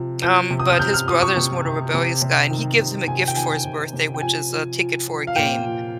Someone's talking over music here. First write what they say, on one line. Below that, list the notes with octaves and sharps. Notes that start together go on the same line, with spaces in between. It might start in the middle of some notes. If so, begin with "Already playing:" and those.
Um, but his brother is more the rebellious guy, and he gives him a gift for his birthday which is a ticket for a game,
Already playing: C3 F3
F3 G6
C3
D#6
F6
C3 G6
F6
F3 D#6
C#6
C3
C3
C3
C3
D#3
C3
C3 G#5
G5
D#3 G#5
C3
C3
G5
F3 G#5
F3
F3
F3
F5
A#2 G5
F3